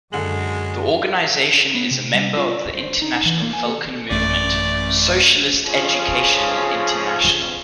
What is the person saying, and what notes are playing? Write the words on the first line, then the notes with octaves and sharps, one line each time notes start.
The organisation is a member of the International Falcon Movement - Socialist Educational International.
F#2 D3 G#3 F#5 F#7
B3
C3
G3
F4
D5
C5
D#4
E3
A#3
G#5
A4
A1 F#2 A3 D5
F2 C#3 F3 C#4 F4 G#4